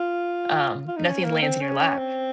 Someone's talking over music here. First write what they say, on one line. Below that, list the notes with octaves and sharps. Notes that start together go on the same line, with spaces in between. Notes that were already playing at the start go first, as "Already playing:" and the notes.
Um, nothing lands in your lap.
Already playing: F4
F4
D#4
C#4
A#3
C4
C#4
C4